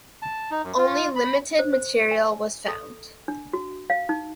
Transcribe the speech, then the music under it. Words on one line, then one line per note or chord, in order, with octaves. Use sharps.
Only limited material was found.
A5
D#4
F#2
F4
B5
C5
C5
G#5
A4
D4
F#4
F5
D#4